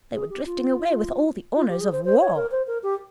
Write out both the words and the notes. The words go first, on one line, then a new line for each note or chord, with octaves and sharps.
They were drifting away with all the honours of war.
G#4
G4
F4
F4
G4
G#4
C5
C5
C#5
A#4
C5
A#4
G4